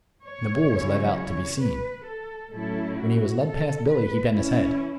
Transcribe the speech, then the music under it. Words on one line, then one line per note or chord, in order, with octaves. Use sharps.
And the bull was led out, to be seen. When he was led past Billy he bent his head.
C#5
C#3 F#3 C#4 E4
C#5
B4
A4
A2 F#3 C#4 E4 A4
F#4
A4
B4
E3 C#4 E4